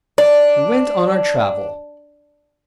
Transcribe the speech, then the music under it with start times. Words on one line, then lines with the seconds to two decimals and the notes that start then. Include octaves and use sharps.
We went on our travel.
0.18 D4 D5